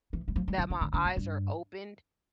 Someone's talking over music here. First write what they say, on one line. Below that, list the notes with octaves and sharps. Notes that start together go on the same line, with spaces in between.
that my eyes are opened,
E3
G3
F3
G3
F3
D3
D3
D3
F2
G2